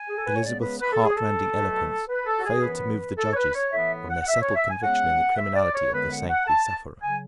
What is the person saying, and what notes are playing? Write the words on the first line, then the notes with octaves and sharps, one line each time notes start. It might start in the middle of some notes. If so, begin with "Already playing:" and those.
Elizabeth's heart-rending eloquence failed to move the judges from their settled conviction in the criminality of the saintly sufferer.
Already playing: G#5
G#4
A4
B4
C#5
C#3 G#3 B3 D5
B4
B4
A4
G#4
A4
B2 F#3 A3
B4
A4
F#4
G#4
F#2 E3 B3 B4
A4
C#5
B4
C#5
A2 E3 B3 E5
F#5
F#5
E5
C#5
E5
G#5
C#3 G#3 B3 F#5
E5
D5
C#5
F#2 D3 G#3 B3 B4
F#5
F#5
A5
C#3 F#3 G#5